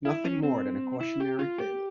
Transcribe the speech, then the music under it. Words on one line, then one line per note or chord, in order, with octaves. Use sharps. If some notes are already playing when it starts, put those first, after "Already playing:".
Nothing more than a cautionary fable.
E4
C#4
C4
E4
G4
F4
G4